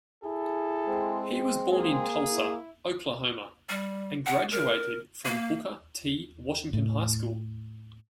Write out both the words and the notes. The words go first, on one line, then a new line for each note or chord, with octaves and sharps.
He was born in Tulsa, Oklahoma and graduated from Booker T. Washington High School.
E4 G#4 A4
G#3 C4
A#3 G#4
E4
G3
F#5
A#4
A#3
A2